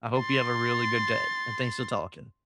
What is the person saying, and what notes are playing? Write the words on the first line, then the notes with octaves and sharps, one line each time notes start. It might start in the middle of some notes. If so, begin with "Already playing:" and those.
I hope you have a really good day, and thanks for talking.
C6 A6